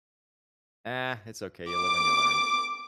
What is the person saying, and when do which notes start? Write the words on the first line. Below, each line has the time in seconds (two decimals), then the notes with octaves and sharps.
Ah, it's okay, you live and you learn.
1.68 D6